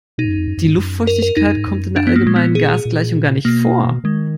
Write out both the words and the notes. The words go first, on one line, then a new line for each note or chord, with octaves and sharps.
Die Luftfeuchtigkeit kommt in der allgemeinen Gasgleichung gar nicht vor.
B2 D#4
G#2
F#2
F2
F#2
F#2
G#2
F#2
A#4
A#4
F2 D#4
F#2
G#2
F#2
D4
B3
A#3
G#2
A#2 G#3
B3
G#4
A#2
B2 A#3
D#3 G#3